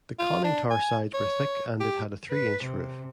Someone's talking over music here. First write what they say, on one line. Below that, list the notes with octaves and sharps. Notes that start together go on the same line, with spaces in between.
The conning tower sides were thick and it had a three-inch roof.
F4
D4
G#5
C#5
G4
B4
C3